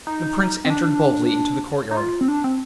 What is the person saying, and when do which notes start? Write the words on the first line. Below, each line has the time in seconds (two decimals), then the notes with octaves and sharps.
The Prince entered boldly into the courtyard.
0.07 D#4
0.65 C4
0.70 D4
1.91 D#4
1.97 F4
2.21 C4
2.28 D4
2.44 C4